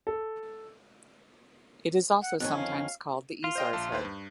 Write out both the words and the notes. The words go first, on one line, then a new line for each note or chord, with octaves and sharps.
It is also sometimes called the Isar's head.
A4
F#5
F2 D#3 C#4 F#6
F5
F4
C5 D#5 G5
A#1 A5
D#2 B4 C5
G2